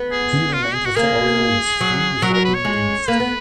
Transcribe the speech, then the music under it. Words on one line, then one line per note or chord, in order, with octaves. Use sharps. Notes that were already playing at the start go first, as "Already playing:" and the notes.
He remained with the Orioles through before being released.
Already playing: B3
G#4
F4
F#4
G#4
F#4
A#3 G#4
F#3
F#3 A#4
A#4
B4
C#5
G#3
A#3 B4
B3